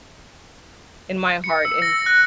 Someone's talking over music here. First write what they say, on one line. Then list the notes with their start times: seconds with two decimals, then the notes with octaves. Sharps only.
in my heart and
1.44 C#7
1.65 E6
1.82 A#6
2.06 F#6